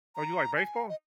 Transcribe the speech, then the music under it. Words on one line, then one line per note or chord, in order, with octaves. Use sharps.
Oh, you like baseball?
A#5
G#5
D#5